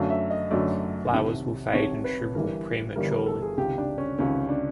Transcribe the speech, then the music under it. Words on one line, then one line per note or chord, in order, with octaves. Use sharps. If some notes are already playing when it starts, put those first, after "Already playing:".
Flowers will fade and shrivel prematurely.
Already playing: F#2 D3 F#3 A3 F5
E5
D#5
F#2 D3 F#3 A3 D5
C2 C3 D#3
C2 C3 D#3 C#5
B4
G1 G2 E3 G3 A#4
G1 G2 E3 G3 A#4
A#4
A4
G#4
C#2 C3 D#3 G4
D4
C#4
C#2 C3 D#3 C#4
D4